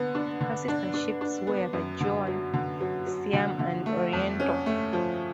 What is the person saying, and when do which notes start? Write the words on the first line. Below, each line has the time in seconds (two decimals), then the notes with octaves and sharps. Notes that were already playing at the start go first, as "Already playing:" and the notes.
Her sister ships were the "John", "Siam" and "Oriental".
Already playing: D3 B3
0.15 D4
0.41 D3
0.68 D4
0.94 D4
1.21 D4
1.47 B3
1.73 F#2
2.00 D3
2.27 F#3
2.54 D3
2.80 F#3
3.06 F#3
3.33 D3
3.59 D3
3.86 A3
4.13 F2
4.40 C#4
4.66 A3
4.93 F3